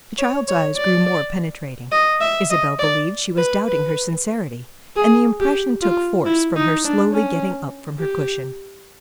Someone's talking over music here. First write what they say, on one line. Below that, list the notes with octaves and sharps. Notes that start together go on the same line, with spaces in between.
The child's eyes grew more penetrating; Isabel believed she was doubting her sincerity, and the impression took force from her slowly getting up from her cushion.
C#5
C#5
D5
D#5
E5
D#5
D5
B4
B4
G#4
G4
F4
E4
D#4
D4
C#4
G4